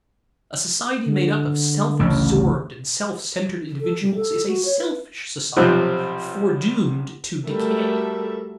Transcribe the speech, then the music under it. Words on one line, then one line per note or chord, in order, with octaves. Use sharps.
A society made up of self-absorbed and self-centered individuals is a selfish society, foredoomed to decay.
D3
A1 D2 C#3
A4
G3
A4
F#4
C#5
B4
B1 C3 F3 C4 F4 F#6
G3 A3 F#4 A4 A#4 E5